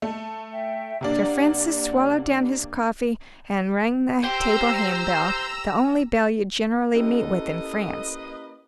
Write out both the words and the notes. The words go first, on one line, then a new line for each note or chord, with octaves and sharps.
Sir Francis swallowed down his coffee, and rang the table hand-bell--the only bell you generally meet with in France.
A3 A5
E5 G5
C3 A#3 D4 D5 F#5
G4 C5 A#5 C6 E6
A#3 C#4 E4 G4 A4 B4 D#5